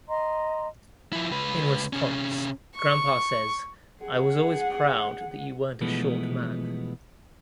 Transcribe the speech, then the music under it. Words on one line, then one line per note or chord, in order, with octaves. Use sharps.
In response, Grampa says, I was always proud that you weren't a short man.
D#5 A#5 C6
F3 E4
C#2 B4
C3 C#4
C#6
G#4 F#5
B2 E3 F3 G#3 A3 B3